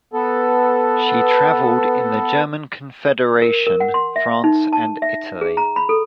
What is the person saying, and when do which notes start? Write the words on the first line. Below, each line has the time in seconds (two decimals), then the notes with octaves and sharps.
She traveled in the German Confederation, France and Italy.
0.13 B3 A4
3.42 A#4
3.67 A#4
3.80 F#5
3.94 C6
4.16 E5
4.44 D#4
4.73 A5
5.02 E5
5.41 G#4
5.57 A#5
5.76 B5
5.89 A4